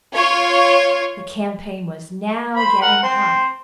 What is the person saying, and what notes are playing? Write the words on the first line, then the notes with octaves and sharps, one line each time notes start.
The campaign was now getting hot.
F4 C#5
C5 B5
A#4 F#5
C4 C5